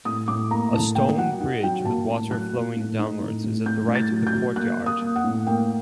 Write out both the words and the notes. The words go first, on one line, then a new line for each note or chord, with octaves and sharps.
A stone bridge with water flowing downwards is at the right of the courtyard.
A2 D#6
A2 D6
A#3 A#5
A2 A5
A#3 G5
F#3 F#5
D#4 F#5
F#3 G5
A#3 A5
A2
F#3 F#6
A#3
A2
D#4
A2
A2
A2 G6
A2
A6
F#3
G6
F#3
A#3 F#6
A#3
D#6
A#3
F#5
A2
A#3 G5